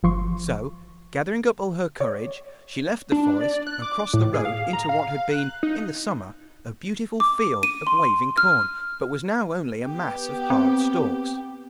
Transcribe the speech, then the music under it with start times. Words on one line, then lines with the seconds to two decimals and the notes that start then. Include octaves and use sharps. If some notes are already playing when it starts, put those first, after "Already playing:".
So, gathering up all her courage, she left the forest and crossed the road into what had been, in the summer, a beautiful field of waving corn, but was now only a mass of hard stalks.
0.03 G1 F3 C6 C#6
2.00 C#5 D5
3.12 D4
3.41 D5
3.67 F#6
3.82 D6
4.14 A2
4.34 G#4
4.45 F5
4.73 A#5
4.89 F5
5.09 F5
5.31 F#6
5.63 D#4
7.20 D6
7.63 D#7
7.87 C6
8.38 F6
9.87 B3 G4
10.50 C4